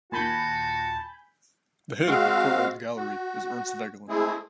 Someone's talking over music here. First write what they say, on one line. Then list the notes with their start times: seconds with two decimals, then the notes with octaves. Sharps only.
The Head of the Courtauld Gallery is Ernst Vegelin.
0.12 D#2 A#2 F#4 G#5 A5 B5 G6
2.06 G#3 C4 F#4 F5
2.97 F#4
4.09 G#3 A3 C4 E4 G#4